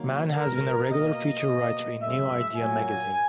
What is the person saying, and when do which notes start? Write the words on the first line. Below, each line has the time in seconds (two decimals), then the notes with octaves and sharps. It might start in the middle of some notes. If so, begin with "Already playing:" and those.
Mann has been a regular feature writer in "New Idea" magazine.
Already playing: D#3 F#3 A#3
0.36 B2 G#3 A#4
0.91 B2 A#3 D#5
1.46 B2 A#3
2.01 F#2 C#3 G#3 E5
2.56 A#2 F#3 A#3 G#5